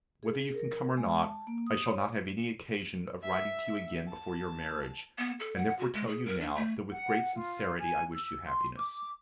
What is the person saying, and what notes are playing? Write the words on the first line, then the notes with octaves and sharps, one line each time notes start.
Whether you can come or not, I shall not have any occasion of writing to you again before your marriage, and therefore tell you now, that with great sincerity I wish you happiness.
G#4
A#4
G#3
A5
A#3
D#6
C#5
E5
A5
B3
A4
F#5
F#4
G#3
G#4
A#4
D4
A3
F#5
F4
G#5
E6
C6
D6